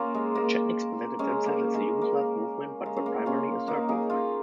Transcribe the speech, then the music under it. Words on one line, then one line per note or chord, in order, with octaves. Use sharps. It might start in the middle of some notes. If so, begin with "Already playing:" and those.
The Chetniks presented themselves as a Yugoslav movement, but were primarily a Serb movement.
Already playing: A#3 C#4 F4
G#3
A#3
G#3 C#4
A#3
G#3
A#3
G#3
C#4
A#3
C#4 F4
A#3 D#4
D#4 G#4
C#4 F4